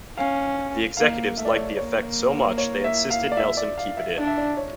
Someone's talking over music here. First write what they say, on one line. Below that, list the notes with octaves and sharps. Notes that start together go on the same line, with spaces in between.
The executives liked the effect so much, they insisted Nelson keep it in.
C#4 F5
A#3 F5
A3 E5
D5
C#5
D5
A#3 C#5
C#5
E5
F5
D5
E5
D5
F5
E5
D4 D5
E5
D5
C#5